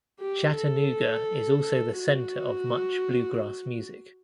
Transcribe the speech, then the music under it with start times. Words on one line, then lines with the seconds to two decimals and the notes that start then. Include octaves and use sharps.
Chattanooga is also the center of much bluegrass music.
0.20 G4
0.56 A4
1.63 A4
1.99 F#4